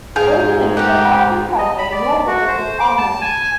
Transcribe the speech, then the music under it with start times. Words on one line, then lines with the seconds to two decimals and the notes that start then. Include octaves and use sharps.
Originally the costume contained no protective armor.
0.16 G#2 G#4 F5 G5
0.77 G4 A#4 F#5
1.58 D#5
1.78 B5
1.92 D5
2.27 F#4
2.48 C5
2.80 D6
2.98 A5
3.21 G#5